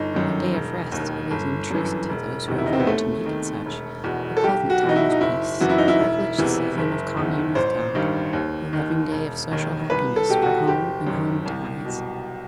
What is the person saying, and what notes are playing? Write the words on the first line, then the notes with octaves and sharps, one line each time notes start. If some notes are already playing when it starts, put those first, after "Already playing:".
A day of rest it is in truth to those who have learnt to make it such; a pleasant time of peace; a privileged season of commune with God; a loving day of social happiness for home and home ties.
Already playing: G1 D#4
F#2 D#3
E1
D#2 D#3
G1
F#2 E3
E1
E2 C3 D#3
E4
D#4
C4
B3
D#2 A3
D#3
E1
E2 B2
A4
B1 G4
F#4
B2
D#4
E4
D#4
F#1 E4
F#2 E3 F#4
E4
D#4
E4
E1
E2 C3 E3
F#1
E2 D#3
A1 C5
G2 D#3
D#2
D#3
E1
D#2 D#3
C2 B4
A4
B2 G4
F#4
F#1 G4
F#2 D#3
C2
B2